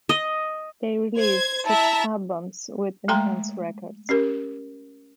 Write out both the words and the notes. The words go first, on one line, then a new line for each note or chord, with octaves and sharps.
They released six albums with Intense Records.
D#5
C5 G#6
E4 E5 A5 A#5
G#3 A3 A4 G5 A#5 C6
C#4 G4 A#4